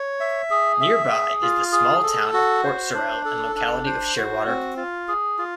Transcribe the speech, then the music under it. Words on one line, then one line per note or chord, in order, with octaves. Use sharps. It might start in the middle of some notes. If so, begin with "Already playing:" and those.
Nearby is the small town of Port Sorell and locality of Shearwater.
Already playing: C#5
E5
G#4
E5
G#4
F4
G#4
A4
F#4
C5
D4
A4
D4
C5
F#4
C4
F4
G#4
F4